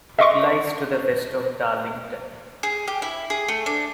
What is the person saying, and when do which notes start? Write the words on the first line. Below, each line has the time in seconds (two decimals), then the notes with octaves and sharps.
It lies to the west of Darlington.
0.19 D#5 E5 C6 C#6
2.63 G#4
2.88 G4
3.02 E4
3.30 G#4
3.49 A3
3.66 D4